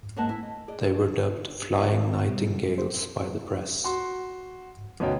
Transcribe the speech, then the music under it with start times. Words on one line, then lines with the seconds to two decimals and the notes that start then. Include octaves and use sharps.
They were dubbed Flying Nightingales by the press.
0.16 G#2 G#3 A#3 C5 F#5 A5
0.28 E4 G#5
0.43 D#5
0.68 G#4 D5 D#5
2.28 B2 G3
2.78 C5
3.84 F#4 C6
5.00 D2 B2 C#4 D#4 G5